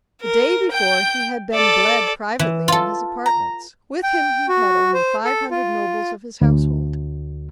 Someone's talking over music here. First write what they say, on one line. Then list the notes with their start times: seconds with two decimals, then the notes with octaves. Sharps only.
The day before he had been bled privately in his apartments; with him he had only five hundred nobles of his household.
0.22 A#4
0.72 G5 G6
1.54 A4 D5
2.39 E3
2.68 F4 A4
3.26 A#5
4.03 G5
4.49 F#4
4.94 C5
5.25 A4
5.51 F4
6.41 D2